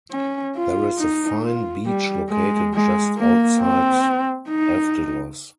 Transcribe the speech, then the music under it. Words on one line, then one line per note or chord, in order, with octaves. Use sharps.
There is a fine beach located just outside Evdilos.
C#4
F4
D#4
F4
G3
G#3
G#3
A#3
C4
D#4